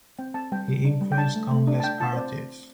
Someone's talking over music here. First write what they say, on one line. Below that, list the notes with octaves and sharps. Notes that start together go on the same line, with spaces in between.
He influenced countless artists.
C4 G5
C4 A5
G3 G5
G3
D4
G3
G5
D4 A5
A3
A3
D4
A5
D4 G5
F4 A5
C5
C4 D5